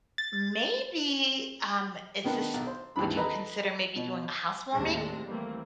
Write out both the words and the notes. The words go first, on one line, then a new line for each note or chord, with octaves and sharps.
maybe, um is this would you consider maybe doing a housewarming,
A6
D#3 B3 D4 A#4
B1
C5
G#1 D#2 E3 D4 B5
A4 B4 D#5 A5 A#5
B2
D#2 A2 G#3 C4 D4 A#6
E3 G3 A3 A#3 C4